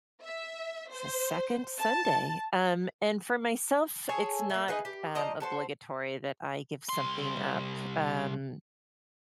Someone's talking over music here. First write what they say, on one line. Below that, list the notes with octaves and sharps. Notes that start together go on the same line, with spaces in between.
se second Sunday, um, and for myself, it's not, um, obligatory that I give something up, um,
E5
C5
A5
G#4 A4 C#5
A3 A#3
D#4 G#4 B4
G4
F3 D4 D#5 A#5
F#4 A4 C5
C2 C6